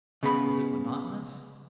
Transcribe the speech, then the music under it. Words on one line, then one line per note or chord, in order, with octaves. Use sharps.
Is it monotonous?
C#3 B3 B5